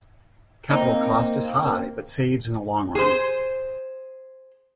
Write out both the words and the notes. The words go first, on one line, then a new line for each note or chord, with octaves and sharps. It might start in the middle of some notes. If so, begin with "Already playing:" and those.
Capital cost is high, but saves in the long run.
A#3 C4 D#4
G#4 C5